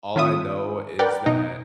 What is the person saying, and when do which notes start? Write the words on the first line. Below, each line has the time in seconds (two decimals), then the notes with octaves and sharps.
all I know is that
0.16 D#3 C4 F4 E5 D#6
0.99 A#4 B4 D5 F#5 G5
1.26 B2 D#4